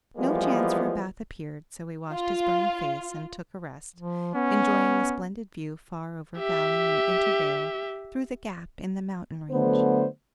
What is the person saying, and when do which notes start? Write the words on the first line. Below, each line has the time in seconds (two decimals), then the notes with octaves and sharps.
No chance for a bath appeared, so he washed his burning face and took a rest, enjoying the splendid view far over valley and intervale through the gap in the mountain range.
0.17 E3 F3 G3 G#3 A#3 B3
2.11 F4
3.96 F3
4.34 B3 C#4
6.39 G4 E5
9.50 D3 F#3 A3 B3 C5